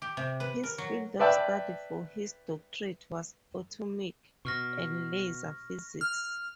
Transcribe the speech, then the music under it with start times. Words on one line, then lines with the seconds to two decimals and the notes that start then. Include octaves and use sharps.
His field of study for his doctorate was atomic and laser physics.
0.02 G4
0.17 C3
0.40 B4
0.63 A#4
0.78 F#3
1.19 B4 D5 E5 G5 A5
4.45 B2 C#6 F6 A#6
6.01 F6